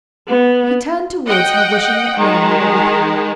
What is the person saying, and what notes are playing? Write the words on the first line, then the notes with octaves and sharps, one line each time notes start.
He turned towards her, wishing that Mary were with him.
B3
D#5 F#5 G5
D#3 G#3